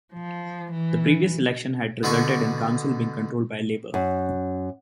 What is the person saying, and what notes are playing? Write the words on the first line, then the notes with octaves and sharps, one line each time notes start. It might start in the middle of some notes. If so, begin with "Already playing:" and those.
The previous election had resulted in the council being controlled by Labour.
F3
E3
B2 D3 D5 C#6
F#2